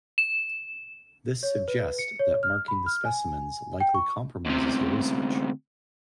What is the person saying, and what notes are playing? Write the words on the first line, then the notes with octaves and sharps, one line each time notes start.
This suggests that marking the specimens likely compromises the research.
E7
C#5
B4
C#7
C#5
F6
B5
F6
G#5
G5
C#6
D2 C3